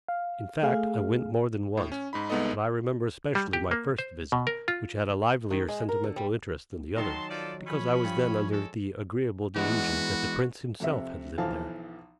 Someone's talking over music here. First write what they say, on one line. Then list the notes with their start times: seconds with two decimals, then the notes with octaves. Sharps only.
In fact, I went more than once; but I remember especially my first visit, which had a livelier sentimental interest than the others because I was then under the agreeable delusion that the Prince himself had lived there.
0.08 F5
0.63 A3 G#4 F5
1.77 A2
1.92 C#4
2.13 G#2 D#4 B5
2.30 C2 G#3 B3 D#4 A4 D#5
3.35 G3
3.53 G4
3.71 A#3
3.99 C5
4.32 B2
4.47 A#4
4.68 F4
5.51 D#3
5.68 G#3
5.89 A#4
6.04 D3
6.16 G3
6.97 D#3 F#3 D#4 A5 C6
7.30 F3 A4 D5
7.67 F3 C#4 B5
8.04 G2
8.51 G#3 A4 C#5
9.56 E3 G#3 B3 F#4
10.80 F2 C3 E5
11.38 B1 E3 F3 F5 A5